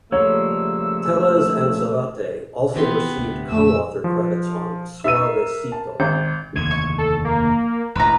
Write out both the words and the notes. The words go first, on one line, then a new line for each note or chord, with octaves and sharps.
Tellez and Zarate also received co-author credits on "Suavecito".
C#3 F3 G3 A3 A#3 C#5 E6
C3 E3 F3 B3 C4 C6
D2 A2
F2 A#2 A3 E6
F3
D#4 E5 E6 D#7
A#4
A5
G#1 G6
F1 D#2 D3 G#6
C#6
A4
A#3
E1 A1 E2 B4 A#5